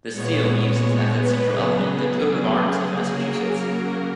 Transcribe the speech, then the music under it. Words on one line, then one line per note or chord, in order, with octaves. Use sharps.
The Seal uses as its central element the Coat of Arms of Massachusetts.
A#2 G#3 B3 C#5
C#5
B4
C#3 F#3 B3 G#4
G#4
C#3 F#3 A#3
A#4